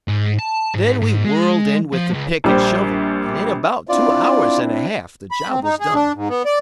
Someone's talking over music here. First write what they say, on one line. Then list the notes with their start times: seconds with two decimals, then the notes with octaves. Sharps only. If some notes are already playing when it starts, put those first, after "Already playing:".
Then we whirled in with the pick and shovel, and in about two hours and a half the job was done.
0.08 G#2
0.39 A5
0.74 G#2
1.01 G#2
1.25 G#3
1.93 F3
2.14 C#2
2.44 A#1 G3 G4 C5
3.89 C4 D4 E4 F4 D5
5.31 B5
5.49 C4
5.64 D#4
5.80 G#4
5.95 D4
6.15 G#2
6.29 B3
6.45 D5